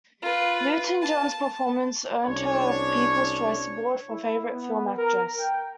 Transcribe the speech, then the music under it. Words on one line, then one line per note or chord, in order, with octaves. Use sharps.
Newton-John's performance earned her a People's Choice Award for Favorite Film Actress.
F4 B4
A5
C2 C#4 D4 C#5
E4
B3
A#4
G5